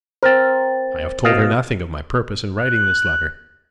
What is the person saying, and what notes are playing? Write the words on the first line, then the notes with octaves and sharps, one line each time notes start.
I have told her nothing of my purpose in writing this letter.
C4 A#4 C5 A6
B2 D#5 F5
F#6